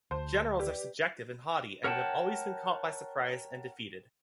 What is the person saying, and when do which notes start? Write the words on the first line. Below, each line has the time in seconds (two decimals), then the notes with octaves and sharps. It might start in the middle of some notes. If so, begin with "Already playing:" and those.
Generals are subjective and haughty, and have always been caught by surprise and defeated.
0.11 D2 C5 A5
0.60 G4 B4 D5
1.84 A#4 C#5 F#5 G5 A5